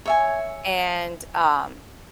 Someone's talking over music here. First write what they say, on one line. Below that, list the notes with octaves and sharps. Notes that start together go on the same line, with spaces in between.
and, um,
C#5 E5 G#5